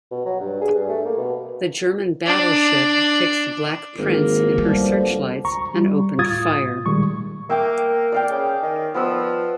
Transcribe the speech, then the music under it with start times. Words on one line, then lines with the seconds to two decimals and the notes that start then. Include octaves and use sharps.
The German battleship fixed "Black Prince" in her searchlights and opened fire.
0.11 B2
0.25 F#3
0.40 G2
0.62 G#4
0.75 G2
0.89 A3
1.06 A#3
1.18 B2
2.26 D4
3.98 G#1 A#3
4.58 B2 D3 F3 G3
5.45 C#2 A#5 C#6
5.74 G3
6.18 D2 A2 F4 D#6 G#6 A6
6.86 A#2 D#3 G3 G#3 C#6
7.50 A#3 E5 G5 D6
8.12 D5 F5 G5
8.30 C#3
8.63 D#3
8.94 F3 B3 B4 E6